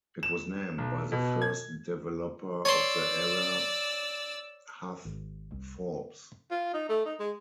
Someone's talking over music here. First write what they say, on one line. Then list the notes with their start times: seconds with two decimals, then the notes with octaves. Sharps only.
It was named by the first developer of the area, Hugh Forbes.
0.23 E7
0.78 B1
1.12 B2
1.42 G#6
2.65 C#5 D5 C6 E6
5.05 G#1
5.52 C2
6.51 F4
6.73 D#4
6.89 A3
7.05 D#4
7.20 G#3